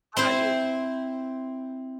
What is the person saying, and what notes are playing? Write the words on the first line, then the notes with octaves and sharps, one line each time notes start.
How 'bout you?
C4 E4 C5